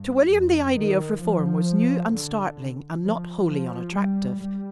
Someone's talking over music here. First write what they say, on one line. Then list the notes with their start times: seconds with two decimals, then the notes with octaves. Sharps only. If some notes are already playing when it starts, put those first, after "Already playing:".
To William the idea of reform was new and startling and not wholly unattractive.
Already playing: G2
0.29 F2
0.75 D#3
1.21 F3
2.12 D3
3.03 F3
3.48 F3
3.94 G3
4.39 G3